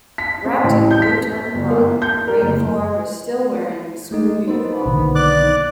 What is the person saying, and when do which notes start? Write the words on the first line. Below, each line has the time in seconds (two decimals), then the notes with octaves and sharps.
Wrapped in a blue tartan rug, Graeme Thorne was still wearing his school uniform.
0.18 B6
0.45 C4
0.64 A1
0.91 G6
1.02 B6
1.54 G1
1.70 A#3
2.02 G6
2.27 A#4
2.42 F#1
4.11 G#3 A3 D#4
4.48 A#3 B3 D#4 C5
4.85 B1 D3 D#3
5.15 D5 D6 F#6